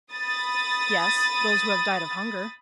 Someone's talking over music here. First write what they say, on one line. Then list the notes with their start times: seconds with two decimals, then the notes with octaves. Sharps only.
"Yes; those who have died of hunger."
0.11 B5 D#6 A6